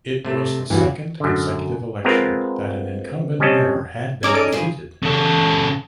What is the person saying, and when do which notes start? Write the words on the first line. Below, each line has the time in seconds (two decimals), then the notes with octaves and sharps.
It was the second consecutive election that an incumbent mayor had been defeated.
0.25 C3 A3
0.70 E2 G2 E3 F#4
1.20 F#2 D3
2.04 G#3 B3 C4 F4 A#4
3.40 G3 C4 C#4 D#5 A5
4.23 C#4 D#4 G#4 A#5 D6 G#6
4.34 A4 D5 D7
4.52 G2 F3 G#4
5.02 C#3 A4